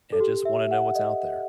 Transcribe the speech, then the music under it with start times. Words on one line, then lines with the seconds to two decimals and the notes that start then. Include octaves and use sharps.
and just wanna know what's out there,
0.12 A4
0.20 G4
0.45 E5
0.71 F#5
0.95 D#5